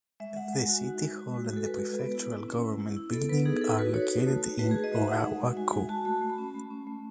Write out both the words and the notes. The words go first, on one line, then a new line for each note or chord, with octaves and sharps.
The city hall and the prefectural government building are located in Urawa-ku.
G#3 E5
G#3 F#5
G#3 G#5
F#4
D#4
G#3
F#4
G#3
F#4
A4
G#3 B4
G#3
B3
E4
E4
C#4
E4
E4
E4
B3 A4
B3 B4
D#4 G#4
D#4 A4
F#4 B4
D#4 C#5
F#4
A3
F#4
A3 B4
G#4
F#4
D#5
A3 E5
D#4 F#5
G#3
F#4
G#3 G#5
G#3 G#5
F#4 A5
A3 A5
A3
B5
C#4
A3
C#4
A3